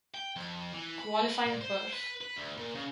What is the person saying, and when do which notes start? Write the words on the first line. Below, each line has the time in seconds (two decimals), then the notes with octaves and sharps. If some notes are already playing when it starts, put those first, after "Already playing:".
Qualifying perf.
0.14 G5
0.36 F2
0.73 E3
1.00 B5
1.46 A#2
1.61 C5
1.93 B4
2.21 B4
2.37 D2
2.58 A#2
2.75 C#3